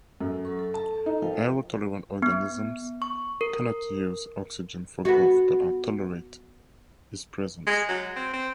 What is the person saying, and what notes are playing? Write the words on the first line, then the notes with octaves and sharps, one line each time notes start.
Aerotolerant organisms cannot use oxygen for growth but are tolerate its presence.
F#2 A4
F#3 A4 C#6
A4
A5
D#4
F3 A#4 F5 G5
B3
C#6
A#4
B3 F#4
G#3
F#3
C4
C4